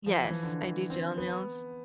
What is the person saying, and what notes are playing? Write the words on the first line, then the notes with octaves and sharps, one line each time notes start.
Yes. I do gel nails,
F3
E3
D3
E3
C4
B3